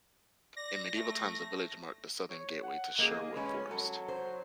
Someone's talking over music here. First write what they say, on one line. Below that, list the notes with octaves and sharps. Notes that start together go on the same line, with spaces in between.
In medieval times the village marked the southern gateway to Sherwood Forest.
D5 A#6
A3
C#5
F#5
A#3 G#4 D#5
G#3 C#4 B4
F#3 A4
C5